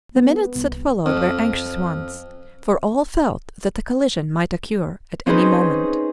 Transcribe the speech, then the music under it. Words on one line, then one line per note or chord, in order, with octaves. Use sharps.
The minutes that followed were anxious ones, for all felt that a collision might occur at any moment.
B3
C2
F2
C4 C#4 D#4 G#4 B4 C5